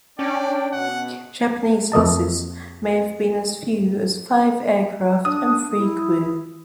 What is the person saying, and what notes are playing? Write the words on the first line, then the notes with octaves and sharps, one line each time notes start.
Japanese losses may have been as few as five aircraft and three crew.
C#4 D4 D5 G5
B2 F#5
F2 A#3 D#5 A5
D4 D#6
E4